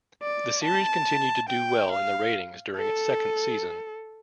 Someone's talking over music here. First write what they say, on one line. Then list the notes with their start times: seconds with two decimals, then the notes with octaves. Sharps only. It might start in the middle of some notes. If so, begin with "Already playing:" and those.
The series continued to do well in the ratings during its second season.
0.23 D5
0.64 A5
1.49 G5
1.92 F5
2.76 A4